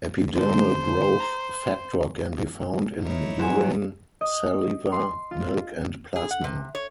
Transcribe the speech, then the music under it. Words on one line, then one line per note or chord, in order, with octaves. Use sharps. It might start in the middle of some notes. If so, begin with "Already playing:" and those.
Epidermal growth factor can be found in urine, saliva, milk, and plasma.
D3 G#3 A4 C5
A#5
D#4 E4 C#5
E2 F#3 C5 G#5
D#5
C6
F4
G#4
F#5
C3
C#5